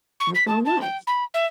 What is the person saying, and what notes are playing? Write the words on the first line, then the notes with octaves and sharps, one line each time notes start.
I have my own life."
C#6
B6
A5
A5
G5
B5
E5